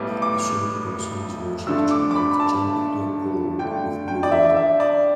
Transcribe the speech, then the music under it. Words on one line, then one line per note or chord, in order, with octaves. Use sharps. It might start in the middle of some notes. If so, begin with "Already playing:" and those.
A swimming person is watching a child jump into a pool with blue water.
Already playing: B1 A2 G3 B3 D6
D6
G2 D3 A3 E6
D6
D6
B5
B5
A5
G2 D3 A3 G5
G5
D5
E5
D5
E5
D5